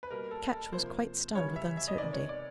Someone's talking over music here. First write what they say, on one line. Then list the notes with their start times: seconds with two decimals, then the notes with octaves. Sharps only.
Ketch was quite stunned with uncertainty.
0.03 B4
0.10 B2 G3 A#3 A#4
0.31 A4
0.52 A4
0.73 C3 F3 A#3 C5
1.35 C#3 E3 G3 C#5
1.56 E5
1.77 E5
1.88 D#5
1.98 C3 D#3 G#3 B3 D5
2.13 C#5
2.29 D5